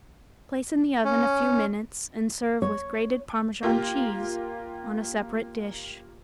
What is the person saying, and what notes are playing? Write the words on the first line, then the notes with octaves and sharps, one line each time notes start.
Place in the oven a few minutes and serve with grated Parmesan cheese on a separate dish.
C#4
C#5
A#3 F4 G4